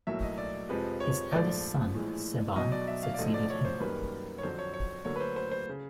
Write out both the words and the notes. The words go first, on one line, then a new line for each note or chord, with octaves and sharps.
His eldest son, Saban, succeeded him.
B1 A2 F#3 A#3 E5
D#5
D5
F2 C3 F3 G#3 B4
C#5
A#1 G#2 F3 A3 D5
A#1 A2 E3 G#3
B1 B2 F#3 D#5
D5
E5
F5
D5
E1 D2 D3 F3 A3 D#5
D5
C#5
C5
F#2 D#3 G3 A#3 B4
C#5
F2 D3 F#3 C5
C#5
C#5
D2 D3 F#3 A#3 C#5
B4
C5
C5
C5
C#3